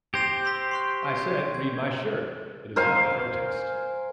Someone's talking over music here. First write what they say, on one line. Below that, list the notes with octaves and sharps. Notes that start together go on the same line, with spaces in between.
I said, 'Read my shirt, it is not a protest.
G4 C5 G#6 A#6 F7
C6 E6 B6
C6 C#6 F#6
G6
G#6
A#4 C5 F5 G#5